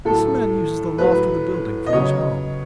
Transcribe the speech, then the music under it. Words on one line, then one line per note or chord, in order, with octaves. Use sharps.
This man uses the loft of the building for his home.
A2 F#3 A4
A2 F#3 B4
D#5
C#3 F#3 C#5